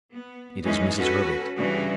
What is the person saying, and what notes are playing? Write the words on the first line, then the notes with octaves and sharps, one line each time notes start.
"It is Mrs. Herbert."
B3
F#2 E3 G#3 C#4 D#4
C#4 F#4 A4 B4
G2 C#3 E3 G3 D4 F#4